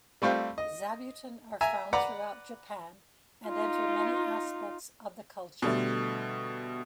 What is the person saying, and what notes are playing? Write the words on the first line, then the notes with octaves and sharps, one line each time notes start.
Zabuton are found throughout Japan and enter many aspects of the culture.
G3 A3 C4 F4
D#5
E5 G#5 A#5
B4 D5 F#5 A#5 B5 D6
D#4 F4
B2 D3 G3 A3